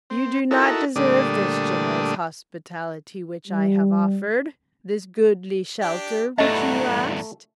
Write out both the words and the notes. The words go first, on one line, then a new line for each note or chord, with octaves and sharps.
You do not deserve this generous hospitality which I have offered, this goodly shelter which you asked.
C4
D#4 E4 F#4 A4 A#4
A#2 D3 G3 A3 D4 D#6
G3
D4 G4
E2 G2 A3 D#5 F#5 A5 A#5